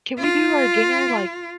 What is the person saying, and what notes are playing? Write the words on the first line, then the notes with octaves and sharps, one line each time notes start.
can we do our dinner, like,
F4